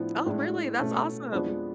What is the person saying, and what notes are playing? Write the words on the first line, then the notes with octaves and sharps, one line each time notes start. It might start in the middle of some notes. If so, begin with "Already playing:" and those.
Oh, really? That's awesome.
Already playing: A2 F3 B3 D4
A2 G#3 D4
B2 A3 C#4
F2 F3 G#3 B3 D4